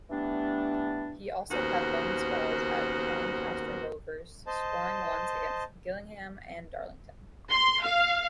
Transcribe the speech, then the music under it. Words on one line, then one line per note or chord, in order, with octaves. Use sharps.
He also had loan spells at Doncaster Rovers, scoring once against Gillingham and Darlington.
E3 G3 A3 B3 D4
D#2 C#3 B3 F#4 A#4 C5
C5 D#5 A5
C6
F5